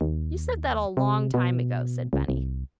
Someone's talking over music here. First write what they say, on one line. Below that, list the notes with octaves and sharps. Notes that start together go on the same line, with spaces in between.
"You said that a long time ago," said Benny.
D#2
C3
B2
C#2
C2